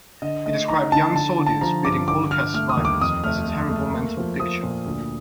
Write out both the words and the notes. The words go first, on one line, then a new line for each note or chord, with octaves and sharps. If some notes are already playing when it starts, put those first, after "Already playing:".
He described young soldiers beating Holocaust survivors as a "terrible mental picture".
D3 D#5
A3 D#5
D#4 A#5
D3 A5
D3 A5
D3
A5
F3 A#5
G2 D6
D3 D6
D3 F6
A3 F6
D#6
D#2
D6
F2 D#6
A3 F6
A3
A3
A#3
F3
F3 D#6
A#2
D2